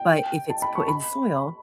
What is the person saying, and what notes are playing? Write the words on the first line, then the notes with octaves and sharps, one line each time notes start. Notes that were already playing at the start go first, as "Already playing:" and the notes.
but if it's put in soil,
Already playing: G5
A5
B5
C#6
B5